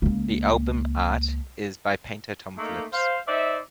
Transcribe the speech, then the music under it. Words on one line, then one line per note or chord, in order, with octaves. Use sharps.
The album art is by painter Tom Phillips.
C#2 A#3
A3 A#3 D#4
C5 F5
D#4 C5 D5 E5